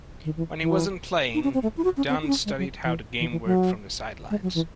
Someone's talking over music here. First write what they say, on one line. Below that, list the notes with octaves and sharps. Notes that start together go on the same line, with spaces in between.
When he wasn't playing, Dunn studied how the game worked from the sidelines.
D#3
E3
E3
D#4
C#4
C4
A3
E4
F#4
C#4
C4
D#4
C#4
G#3
F#3
E3
E3
E3
F#3
G#3
F#3
E3